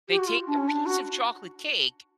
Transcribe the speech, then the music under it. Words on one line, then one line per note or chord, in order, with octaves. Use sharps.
They take a piece of chocolate cake,
G4
F#4
F4
D4
C#4
D4
F#4